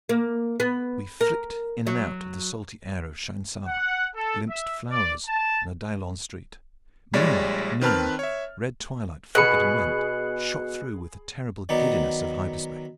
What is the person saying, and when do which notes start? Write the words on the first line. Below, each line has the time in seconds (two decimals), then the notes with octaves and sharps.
We flicked in and out of the salty air of Shainsa, glimpsed flowers on a Daillon street, moonlight, noon, red twilight flickered and went, shot through with the terrible giddiness of hyperspace.
0.09 A#3
0.60 B3
1.21 A#4
1.87 F#3
3.66 F#5
4.14 A4
4.48 E5
4.89 D5
5.26 A5
7.14 A#1 G3 G#3 C#5 D5 A6
7.81 D#3 C4 B4 A5 F6
8.19 C#5 E5
9.35 B2 G#4 B5 F#6 C#7
11.69 D#3 F#3 B3 D#4 D5